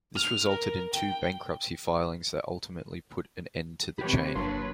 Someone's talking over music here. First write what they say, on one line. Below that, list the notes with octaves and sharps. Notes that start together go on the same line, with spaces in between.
This resulted in two bankruptcy filings that ultimately put an end to the chain.
F6
A#4
G5
C3 G4 B4 C#5 B5
G1 F#3 A#3 D4 B4 C#5 C6